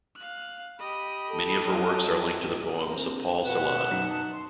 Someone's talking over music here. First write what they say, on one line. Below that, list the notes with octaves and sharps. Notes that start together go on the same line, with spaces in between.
Many of her works are linked to the poems of Paul Celan.
F5 F#6
G4 D#5 B5
A4
F#3
C4 D4 A#4
B2 B4 F#5 E7
F#2 D#4 B6
A5 D#6
C6